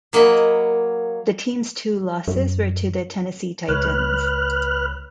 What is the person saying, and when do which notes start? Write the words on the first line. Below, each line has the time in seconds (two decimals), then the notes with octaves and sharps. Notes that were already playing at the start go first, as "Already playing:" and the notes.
The team's two losses were to the Tennessee Titans.
0.13 F#3 A#3 D#5 B5
2.28 F#2
3.69 C#2 B4 C#5 F6 F#6